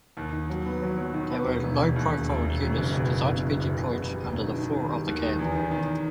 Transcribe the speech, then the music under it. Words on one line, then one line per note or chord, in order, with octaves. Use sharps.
They were low-profile units designed to be deployed under the floor of the cab.
D#2
D#3
F#3
B3
F#3
F#3
D#3
B3
E1
E1
E1
D#2
E1
E1
E1
E1
F#1
B2
F#1
F#1
F#1
F#1
F#1
B2
G3
E1
D#3
D#3
D#3
G3
D#2
D#3
E2
D#3
D#3